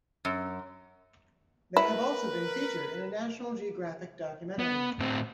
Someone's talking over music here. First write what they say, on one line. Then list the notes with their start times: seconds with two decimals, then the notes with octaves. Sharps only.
They have also been featured in a National Geographic documentary.
0.25 F#2
1.77 E4 A#4 B4
4.59 B3
4.99 A2 C4